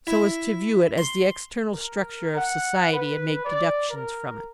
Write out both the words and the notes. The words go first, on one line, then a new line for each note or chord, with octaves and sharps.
"So as to view it as the external structure of Society and make deductions from it."
E4
C6
A#4
F#5
B4
D5
A#4